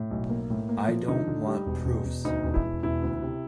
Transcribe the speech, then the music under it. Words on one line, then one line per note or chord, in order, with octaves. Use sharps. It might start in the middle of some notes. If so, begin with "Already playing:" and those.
I don’t want proofs.
Already playing: A2
B1
A#3
A2
A#3
F3
D3 D#4
D3
G3
E1
E1
E1
D2 D#4
E1
E4
E1
E1 E4
D2
C3